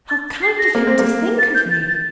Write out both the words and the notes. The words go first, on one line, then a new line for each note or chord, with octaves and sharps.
'How kind of him to think of me!
A6
C7
A#6
A#3
C4
A#3
A6
G6
A6
A6